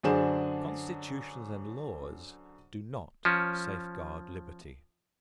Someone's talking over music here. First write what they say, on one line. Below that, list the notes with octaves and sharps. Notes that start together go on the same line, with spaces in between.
Constitutions and laws do not safeguard liberty.
F#2 D3 D4 G#4 C5 E7
F3 C#4